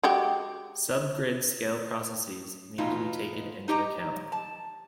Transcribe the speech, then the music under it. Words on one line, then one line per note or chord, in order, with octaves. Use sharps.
Sub-grid scale processes need to be taken into account.
G#3 F#4 G4
E2 B2 D#4 F4
D#4 G4 D#5 A#5
A5